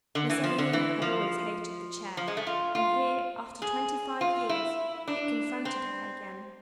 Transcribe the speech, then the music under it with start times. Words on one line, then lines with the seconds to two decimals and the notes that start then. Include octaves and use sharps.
Miss Evelina had always hated the chair, and here, after twenty-five years, it confronted her again.
0.15 D3
0.30 E3
0.44 F3
0.58 D3
0.73 E3
1.02 F3
2.17 F3
2.28 G#3
2.37 A3
2.47 F4
2.75 F4
3.62 G#4
4.21 F4
4.49 E4
5.08 D4
5.65 C4